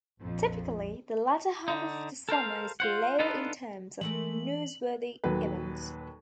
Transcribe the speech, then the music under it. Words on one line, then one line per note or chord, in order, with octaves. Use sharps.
Typically, the latter half of the summer is slow in terms of newsworthy events.
A#1 F2
D3 D#4
A4 A#4 C5 F5
F4 C5 F#5
B3 D4 D#4 F4 A4 B4
E3 G#3 A3 A#4 F#7
D#1 D#2 F#3 B4